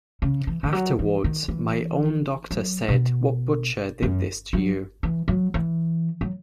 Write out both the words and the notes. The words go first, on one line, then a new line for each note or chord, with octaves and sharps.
Afterwards, my own doctor said: 'What butcher did this to you?
C#3
E3
E3
F#3
E3
D#3
E3
F#3
B2
F#2
F#3
E3
F#3
E3
F#3